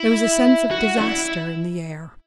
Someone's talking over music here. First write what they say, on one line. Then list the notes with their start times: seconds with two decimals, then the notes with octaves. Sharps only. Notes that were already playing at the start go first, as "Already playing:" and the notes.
There was a sense of disaster in the air.
Already playing: E4
0.71 F#4
0.97 D4
1.01 E4